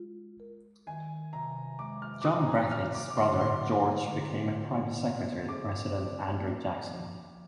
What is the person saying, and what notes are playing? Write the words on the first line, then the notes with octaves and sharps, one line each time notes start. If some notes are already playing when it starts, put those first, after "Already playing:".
John Breathitt's brother, George, became a private secretary to President Andrew Jackson.
Already playing: G#3 F4
A#4
D#3 G#5
C3 A#5
G#3 D6
F6
D6
C3 D#6
A#5
G#5
F3 F6
D6
D6
D3 C6
C6
G#3
D3
F4
C4
G#4 D6
C4
A#3
F3